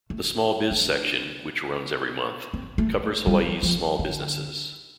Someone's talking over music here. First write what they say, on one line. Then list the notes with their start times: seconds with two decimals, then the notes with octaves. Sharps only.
The SmallBiz section, which runs every month, covers Hawaii's small businesses.
0.10 A3
0.71 D4
2.54 C4
2.78 A3
3.27 G3
3.63 F3
3.99 D3